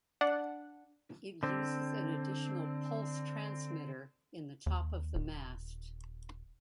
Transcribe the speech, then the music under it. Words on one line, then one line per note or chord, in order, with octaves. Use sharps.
It uses an additional pulse transmitter in the top of the mast.
D4 F#5
D3 C4
D#2
D#1